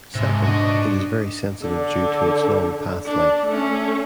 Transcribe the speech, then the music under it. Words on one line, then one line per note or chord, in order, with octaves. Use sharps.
Second, it is very sensitive due to its long pathlength.
G#2 C3 G#3
D4 F#4 D#5
D3
D4
A3 C#4